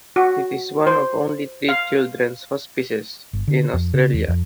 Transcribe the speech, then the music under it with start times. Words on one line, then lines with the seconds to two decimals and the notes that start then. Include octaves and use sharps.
It is one of only three children’s hospices in Australia.
0.16 F#4
0.87 C5
1.69 F5
3.33 G1
3.48 D3
3.73 F2
3.94 C#3
4.13 E2
4.28 F2